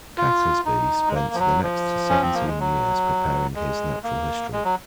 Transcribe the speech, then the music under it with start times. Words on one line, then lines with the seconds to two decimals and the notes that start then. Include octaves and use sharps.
Catesby spent the next seventeen years preparing his "Natural History".
0.18 F4
0.65 D#4
1.08 G#3
1.15 A#3
1.34 F3
1.39 F#3
1.63 F3
2.10 C#4
2.22 C4
2.34 A#3
2.47 G#3
2.60 F#3
3.55 G#3
4.04 A#3
4.53 G#3
4.64 F#3